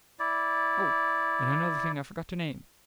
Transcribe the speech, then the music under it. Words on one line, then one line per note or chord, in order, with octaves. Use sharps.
Oh! and another thing I forgot to name!
E4 D5